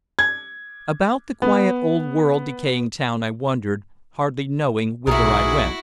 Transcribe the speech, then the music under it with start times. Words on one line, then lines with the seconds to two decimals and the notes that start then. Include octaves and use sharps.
About the quiet, old-world decaying town I wandered, hardly knowing whither I went.
0.19 G#6
1.42 B3
5.07 B1 E4 F#4 G#4 A#4 E5